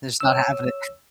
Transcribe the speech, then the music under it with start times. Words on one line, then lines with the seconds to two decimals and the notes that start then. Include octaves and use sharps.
Just not having it.
0.20 C#5 E6